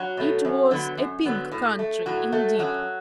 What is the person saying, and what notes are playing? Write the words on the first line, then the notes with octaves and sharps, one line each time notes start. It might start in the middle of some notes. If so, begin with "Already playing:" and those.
It was a Pink Country, indeed.
Already playing: F#3 F#4
B2 A3
F#2
D3 F#3 B3
F#2
D3 F#3 B3
A2
A3
A2 F#3 F#4
A3
F#2 F#3 F#4